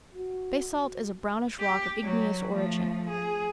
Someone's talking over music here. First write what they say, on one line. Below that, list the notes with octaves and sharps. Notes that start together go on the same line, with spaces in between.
Basalt is a brownish rock of igneous origin.
F#4
G4 G5
F#3
F3 A3
G#4